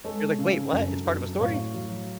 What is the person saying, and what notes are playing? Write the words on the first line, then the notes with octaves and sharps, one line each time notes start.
You're like, "Wait, what? It's part of a story?
G#3 A4 C#5
C#3
F#2
F#2
A2 C#5 F5
F#3